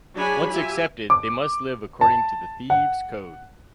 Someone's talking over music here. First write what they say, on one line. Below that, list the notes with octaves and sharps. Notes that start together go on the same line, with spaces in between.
Once accepted they must live according to the thieves' code.
F#3 D4 G#4 C#5 G#5 B5
F4 G4 E5 G#5
D6
A5
F#5